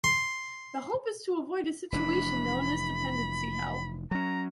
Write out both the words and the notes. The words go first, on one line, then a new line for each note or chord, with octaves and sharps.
The hope is to avoid a situation known as dependency hell.
C6
F1 E3 D4 B5
F#3 C#4 A#5